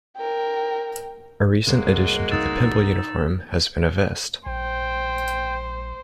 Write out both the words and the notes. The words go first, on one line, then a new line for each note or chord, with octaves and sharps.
A recent addition to the Pymble uniform has been a vest.
A#4 G5
C2 F#2 A2 F#3 G#3 A#3
D#4 E6 A6 E7
A#1 C5 G5